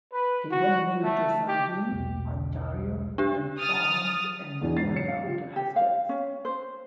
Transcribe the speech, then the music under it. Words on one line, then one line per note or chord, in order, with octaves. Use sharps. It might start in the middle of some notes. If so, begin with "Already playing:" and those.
He then moved to Saugeen, Ontario and farmed in the area until his death.
B4
F#4
A3
G4
B1 E2 B2
D4 G4
D#6 F6 A6
E2 B2 D3 E3
G#2 A6 C7
F#3 C#5 C#7
F5
F4 G4
G4
F5
C#4
C5